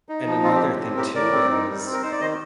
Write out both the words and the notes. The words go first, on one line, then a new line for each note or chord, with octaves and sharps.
and another thing too is
D#4
F3
C4 F4
G4
A2
C4
A2 G4 A#4
A2 A#4 D5
C4
D#4
G3
C4
A#4
D#4 C5
D5
D#3 C5 D#5